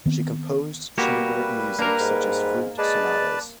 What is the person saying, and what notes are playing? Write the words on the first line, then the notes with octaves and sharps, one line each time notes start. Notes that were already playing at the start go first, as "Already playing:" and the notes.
She composed chamber music, such as flute sonatas.
D#3 B3 C4
G3 A#3 F#4 G4 B4
A#3 D4 A#4
G#2
G#3 B4 D5 A5